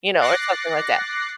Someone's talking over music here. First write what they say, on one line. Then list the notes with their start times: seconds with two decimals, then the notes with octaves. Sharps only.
you know, or something like that.
0.20 D6 F#6 A6 A#6 C7 C#7